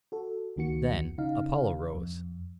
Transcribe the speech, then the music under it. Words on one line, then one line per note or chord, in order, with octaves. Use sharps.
Then Apollo rose.
F#4 A4
C#2 D#3 A#3 F#4 C#7
C#3 D#4 F5
F2